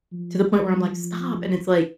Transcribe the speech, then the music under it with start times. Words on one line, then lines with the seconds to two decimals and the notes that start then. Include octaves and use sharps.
to the point where I'm, like, "Stop." And it's, like,
0.12 F3
0.51 G3
0.91 F3